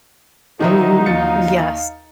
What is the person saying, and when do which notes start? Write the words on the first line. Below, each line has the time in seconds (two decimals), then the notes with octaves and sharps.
Ooh, yes.
0.60 D3 D#3 F3 F#3 D#4 E4
1.06 D#2 F5 A6 C#7